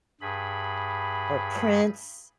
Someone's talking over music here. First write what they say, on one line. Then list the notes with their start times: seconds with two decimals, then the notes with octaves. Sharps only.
or Prince,
0.21 G2 G#4 B5